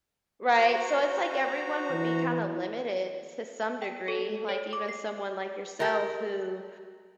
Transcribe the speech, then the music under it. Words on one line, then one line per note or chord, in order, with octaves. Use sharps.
Right, so it's like everyone would be kinda limited s to some degree, like even someone like yourself who
F#4 C5 A#5
E3
G5
A4
C#5
D6
C7
G4 A#4